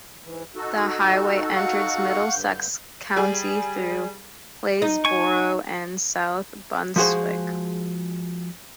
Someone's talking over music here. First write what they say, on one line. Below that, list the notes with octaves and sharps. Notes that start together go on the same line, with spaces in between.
The highway enters Middlesex County through Plainsboro and South Brunswick.
G#2 E3
D#4 F#4 A4
F5 F#5 C#6
G2 D3 G6
G3 G#4
D#4
G#5 C#6
F3 G#3 F#4 G#4 C5